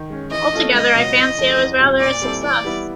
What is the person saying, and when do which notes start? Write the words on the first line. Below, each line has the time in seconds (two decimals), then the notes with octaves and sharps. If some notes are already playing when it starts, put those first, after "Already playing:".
Altogether I fancy I was rather a success.
Already playing: D#3
0.10 G#3 C#4
0.31 E3 D#5
0.53 A3 C#4 F4 A4
0.74 C#2 D#5
0.95 B2 F#3 B3
1.16 E2
1.37 C#3 F3 A3 C4
1.59 E2
1.79 B2 G3 C4 F4
2.00 A#2 D5
2.22 G3 C4 E4 A4
2.43 E3 D5
2.64 G3 B3 E4